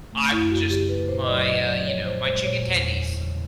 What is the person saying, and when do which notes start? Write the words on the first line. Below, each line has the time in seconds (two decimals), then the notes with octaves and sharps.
I will just eat my, uh you know, my chicken tendies.
0.13 A3
0.31 F#2 E4
0.50 F#2 F#4
0.70 C#3 G4
0.89 C#3 B4
1.08 A#2 C5
1.24 D#5
1.28 F#3 D5
1.47 A#2 D#5
1.67 F#3 D5
1.87 F3 C#5
2.05 A#2 C5
2.25 G#3 C5
2.44 A#2 C#5
2.63 E2
2.82 E2
3.02 E2
3.21 C#3